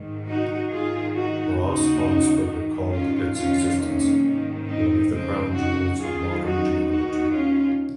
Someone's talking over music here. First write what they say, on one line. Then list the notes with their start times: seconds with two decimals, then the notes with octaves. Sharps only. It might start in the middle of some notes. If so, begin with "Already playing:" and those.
Ross Honsberger called its existence "one of the crown jewels of modern geometry".
Already playing: G#2 D#3
0.27 D#4 F#4
0.70 G#2 D#3 F4 G#4
1.14 D#4 F#4
1.58 D#2 C#3 D#4 F#4
2.46 G#2 D#3
2.90 C#4 F4
3.35 F2 C3 D#3 C#4 F4
3.79 A#3 C#4
4.23 G#2 D#3
4.67 C4 D#4
5.10 F2 C#3 G#3 C4
5.55 D#4 F#4
5.99 F#2 D#3 F4 G#4
6.43 D#4 F#4
6.87 D#2 D#3 D#4 F#4
7.31 C#4 F4